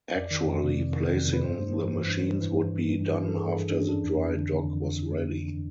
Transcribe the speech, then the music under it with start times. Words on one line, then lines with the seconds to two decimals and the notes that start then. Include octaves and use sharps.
Actually placing the machines would be done after the dry dock was ready.
0.15 F2 D5
0.31 D#3
0.47 F2
0.63 C3
0.79 F2
0.96 D#3
1.12 F2
1.28 C3
1.33 B4
1.44 G2 C5
1.60 G2
1.76 E3
1.92 E3
2.09 G2
2.24 G2
2.41 E3
2.57 E3
2.73 G2
2.89 G2
3.06 E3
3.22 E3
3.28 A4
3.38 G2 G#4
3.54 G2
3.70 E3 D4
3.79 C#4
3.87 E3 D4
4.02 F2
4.18 F2
4.35 D3
4.51 D3
4.67 F2